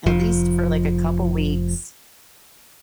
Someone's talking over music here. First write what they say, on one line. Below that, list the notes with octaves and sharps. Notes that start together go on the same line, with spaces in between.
at least for like a couple weeks,
F1 F3